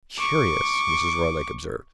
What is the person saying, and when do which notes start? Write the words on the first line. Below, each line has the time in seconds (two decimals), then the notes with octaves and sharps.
"Curious!" Mrs. Roylake observed.
0.18 C#6 D6